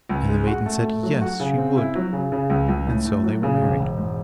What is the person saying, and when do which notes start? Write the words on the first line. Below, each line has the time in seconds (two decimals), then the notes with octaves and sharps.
And the maiden said 'yes, she would,' and so they were married.
0.09 C#2
0.28 G#3
0.47 F#4
0.66 A3
0.84 A3
1.03 F#3
1.21 F#4
1.40 C#3
1.57 C4
1.76 E4
1.95 F#3
2.13 C#3
2.32 C#3
2.50 C#2
2.68 C#2
2.88 A2
3.05 A2
3.23 F#3
3.43 C#3
3.62 E1
3.79 E1
3.97 G#2